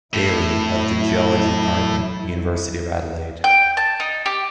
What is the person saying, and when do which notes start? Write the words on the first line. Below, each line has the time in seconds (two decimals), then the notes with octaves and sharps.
Daily, of the Geology Department, University of Adelaide.
0.13 A2 F#3 E4
3.44 G5
3.77 A5
4.00 D#4
4.26 G4